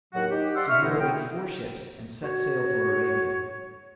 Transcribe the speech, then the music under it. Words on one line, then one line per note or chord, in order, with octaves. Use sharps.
So he loaded four ships and set sail for Arabia.
D#2 A2 F#3 F#4 F#5
D#4 G4
C5 D5 F5 F#5 C6 E6
E5 C#6 F6
A2 D3 E3 G#3 D#4 E4
F#3 B3 G#4 G5
F#4 C#5